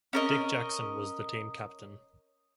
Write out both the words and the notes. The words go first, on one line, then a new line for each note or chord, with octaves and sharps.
Dick Jackson was the team captain.
C#4 A#4 D#5